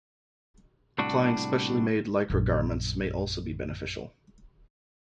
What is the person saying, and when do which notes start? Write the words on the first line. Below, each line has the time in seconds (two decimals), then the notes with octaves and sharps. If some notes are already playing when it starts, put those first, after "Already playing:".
Applying specially made Lycra garments may also be beneficial.
0.98 C2 A2 D4 F#4
2.30 A#1 F#2